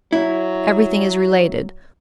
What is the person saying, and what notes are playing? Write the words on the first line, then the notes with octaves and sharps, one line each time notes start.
Everything is related.
F#3 E4